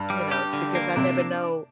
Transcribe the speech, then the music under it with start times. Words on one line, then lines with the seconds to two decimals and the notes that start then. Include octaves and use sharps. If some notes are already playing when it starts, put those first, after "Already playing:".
you know, because I never know
Already playing: G2
0.10 G3
0.31 G4
0.53 D3
0.75 A#3
0.96 C3 D4